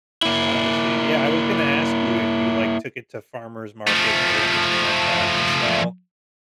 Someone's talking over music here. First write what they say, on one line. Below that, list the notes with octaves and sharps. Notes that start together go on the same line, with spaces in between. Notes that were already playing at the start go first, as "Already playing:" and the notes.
Ah, I see, yeah, I was gonna ask you if you, like, took it to farmer's markets or anything like that to sell.
A#3 E4
F3 A3